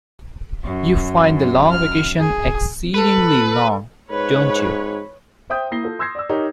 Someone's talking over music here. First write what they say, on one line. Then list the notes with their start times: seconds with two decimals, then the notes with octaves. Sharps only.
You find the long vacation exceedingly long, don't you?
0.64 F#2
1.71 F6
2.20 G#4
2.94 A4 B4
4.11 G#2 B4 C#5
5.50 C5 E5 G5 D#6 G6
5.71 A#3 E4 A#6 C7 G7
5.83 F4 A4
5.99 C6 E6 G6 G#6 A#6 C7
6.15 D5 E6
6.29 D#4 G4 A#4 C#5